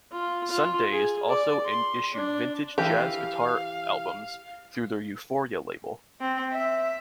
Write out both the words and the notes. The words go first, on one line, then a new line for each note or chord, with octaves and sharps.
Sundazed also issued vintage jazz guitar albums through their Euphoria label.
F4
F4
G#4
D5
C6
D4
E3 G4 F5
C4
E5